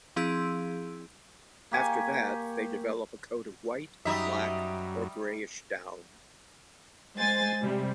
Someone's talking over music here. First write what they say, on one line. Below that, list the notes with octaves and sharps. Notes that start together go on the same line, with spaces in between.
After that, they develop a coat of white, black or grayish down.
F3 C4 E4 G#4 E6 D7
A#3 G4 G#5 C#6
F#2 G3 D#4 E5
G#3 C5 G#5 A6
C3 G3